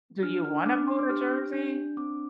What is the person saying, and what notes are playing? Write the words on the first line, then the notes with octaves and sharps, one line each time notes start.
Do you wanna move to Jersey?
D4 F6
F6
D4 D6
C6
D6
G4 F6
D4 G6
C4 D6